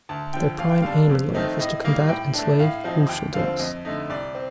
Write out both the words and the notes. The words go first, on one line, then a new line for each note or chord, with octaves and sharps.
Their prime aim in life is to combat and slay Kulshedras.
D2 A5
D3 F3 G5
D#2 F5
G5
D3 G3 D4 F5
F2
D#3 A3 C4 D#4
A2 D#5
G3 A#3 D#4 F5
A2 G5
A3 D4
A2 F5
F3 C4 D#4
D#2 G5
D3 F3 C4 F5
F2 D#5
D3 A3 D#4
C2 D5
C4